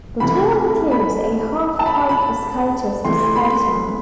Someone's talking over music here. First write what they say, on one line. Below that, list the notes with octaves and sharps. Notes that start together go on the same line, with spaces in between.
The tour includes a half pipe for skaters to skate on.
C2 C3 E3 A3 B5
B5
A5
B5
B5
C3 E3 A3 C6
B5
C6